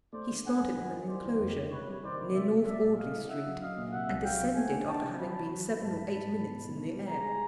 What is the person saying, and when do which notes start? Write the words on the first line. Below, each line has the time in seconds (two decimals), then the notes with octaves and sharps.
He started from an enclosure near North Audley Street, and descended after having been seven or eight minutes in the air.
0.13 A3 C5 D5
0.29 D3
0.45 A3 F#5 G#5
0.60 G2
0.76 D#3 F#5 G#5
0.92 D#3
1.08 G3 C5 D5
1.24 D#3
1.39 F2
1.56 D#3
1.71 C3 B4 C#5
1.87 G3
2.03 D#3 C5 D5
2.19 C3
2.34 C3 D5 E5
2.50 C3
2.66 G3 D5 E5
2.82 A#2
2.97 G3 D#5 F5
3.13 E4
3.29 D4 E5 F#5
3.45 F#3
3.61 F#3 D#5 F5
3.77 A#2
3.92 C3 E5 F#5
4.09 C2
4.24 F#3 F5 G5
4.40 C3
4.55 A3 F#5 G#5
4.72 D4
4.87 D4 G5 A5
5.03 C3
5.19 F#3 A5 B5
5.34 F#3
5.51 F#3
5.66 F#3
5.82 G#2 A5 B5
5.98 G#2
6.14 G#2
6.29 G#2
6.45 B3
6.62 B2
6.77 B2
6.93 G3
7.08 G#3 G#5 A#5
7.24 G#3